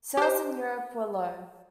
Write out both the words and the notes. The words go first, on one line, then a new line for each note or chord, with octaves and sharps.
Sales in Europe were low.
G4 C5